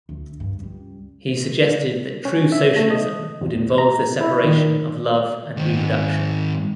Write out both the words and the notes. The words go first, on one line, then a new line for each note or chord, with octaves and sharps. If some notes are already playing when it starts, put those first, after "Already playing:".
He suggested that true socialism would involve the separation of love and reproduction.
D2
G2
C#2 G3
C#4
E5
A3
D#5
E2
A#5
E4
D#3
G#2 D#3